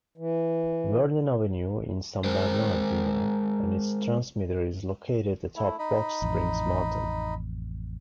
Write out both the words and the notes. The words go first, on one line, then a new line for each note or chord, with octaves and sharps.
Vernon Avenue in San Bernardino, and its transmitter is located atop Box Springs Mountain.
E3
G#3 A#4 C5
A3 E4
D#4 D#5 B5
A1 F2